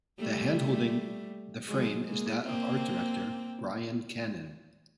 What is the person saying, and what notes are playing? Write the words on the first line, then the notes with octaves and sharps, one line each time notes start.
The hand holding the frame is that of art director Brian Cannon.
G3 A3
F#3 G#3
G#3 A#3
A#3 C4